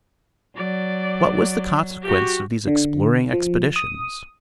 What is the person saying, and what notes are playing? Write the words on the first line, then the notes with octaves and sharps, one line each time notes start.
What was the consequence of these exploring expeditions?
F#3 D5
F#4 G4
D3
F3
D#6